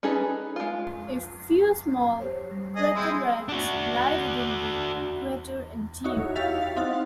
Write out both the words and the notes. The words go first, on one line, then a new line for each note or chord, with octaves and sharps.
A few small craterlets lie within the crater interior.
C#4 D#4 G#4 A4 B4
G#3 F4
G4 C5 C#5
G3
G#4 D#5
G#3 C4 E4
D4 F#4
D#4 E4 F#4 C#5
E4 G4 F5 A6 B6 F7
A6
C4 D#4 F5 F#5 F#6 A6